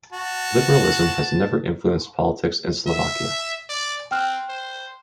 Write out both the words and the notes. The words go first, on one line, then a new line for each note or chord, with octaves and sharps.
Liberalism has never influenced politics in Slovakia.
F#4 A5
E5
D5
C4 G5 F6 F#6
C5